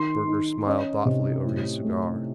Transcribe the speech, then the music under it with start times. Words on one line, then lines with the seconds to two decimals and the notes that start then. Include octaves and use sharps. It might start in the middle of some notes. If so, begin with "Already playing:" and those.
Burger smiled thoughtfully over his cigar.
Already playing: D#3 C6
0.27 D#4
0.66 C#4 D#5
1.05 C3
1.45 A2
1.84 A3